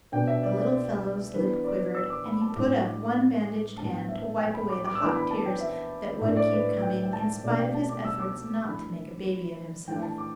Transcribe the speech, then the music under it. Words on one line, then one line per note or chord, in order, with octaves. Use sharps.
The little fellow's lip quivered, and he put up one bandaged hand to wipe away the hot tears that would keep coming, in spite of his efforts not to make a baby of himself.
B2 B3 D4 G5
E5
D5
D5
E3 B3 D4 B4
D5
E6
D6
B5
A5
A2 G3 D4 D6
A2 E3 B3 D4 A5
G5
E5
E5
G5
B5
D6
D6
E6
E3 B3 D4 D6
B5
A5
G5
E5
A2 A3 D4 E5
D5
B4
G5
G5
A5
B2 A3 D4 D5
G5
A5
D6
E6
D6
E3 A3 D4 B5
E3 A3 D4 G5
A5
D6